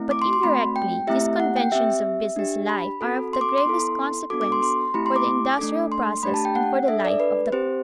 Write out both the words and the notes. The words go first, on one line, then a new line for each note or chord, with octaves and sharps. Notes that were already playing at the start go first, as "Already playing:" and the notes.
But indirectly these conventions of business life are of the gravest consequence for the industrial process and for the life of the community.
Already playing: A3 C4 E4
D6
C6
C6
A3 C4 F#4 B5
G5
A3 C4 E4 G4 E5
F#5
G5
C4 G4 E5
D4 G4
B5
C4 F#4 A4
C6
D6
C6
B3 E4 A4
B3 D4 F#4 A4 D6
D6
C6
C6
A3 C4 E4 G4 B5
C6
D6
A3 D4 A4
C6
A3 D4 G4 B5
A5
G5
F#5
D4 A4 E5
D5
B4
C4 G4 C5